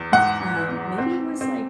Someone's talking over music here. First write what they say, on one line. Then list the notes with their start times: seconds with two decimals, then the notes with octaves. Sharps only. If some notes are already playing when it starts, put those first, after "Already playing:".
Um, maybe it was, like,
Already playing: E2
0.12 G#2 F#5
0.55 E3
0.98 C4
1.41 C4